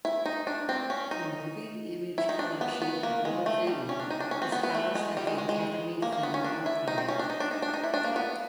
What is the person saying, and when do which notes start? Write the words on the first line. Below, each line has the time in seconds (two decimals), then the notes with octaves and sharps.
The moving image collection of Will Vinton is housed at the Academy Film Archive.
0.05 E4
0.26 D#4
0.47 D4
0.69 C4
0.90 C#4
1.11 D#4
2.18 E4
2.29 D#4
2.39 D4
2.61 B3
2.82 B3
3.03 A#3
3.25 G#3
3.46 A3
3.67 G3
3.89 C#4
4.00 D4
4.10 D#4
4.20 D4
4.31 C#4
4.42 C4
4.52 B3
4.63 B3
4.75 A3
4.95 G#3
5.17 G3
5.27 G#3
5.38 G#3
5.49 G#3
6.02 A#3
6.12 A#3
6.23 B3
6.34 C#4
6.44 D4
6.66 E4
6.88 D#4
6.98 C4
7.08 C#4
7.19 D4
7.30 D#4
7.40 D4
7.51 D#4
7.62 D4
7.74 D#4
7.83 E4
7.94 D4
8.04 A#3
8.16 B3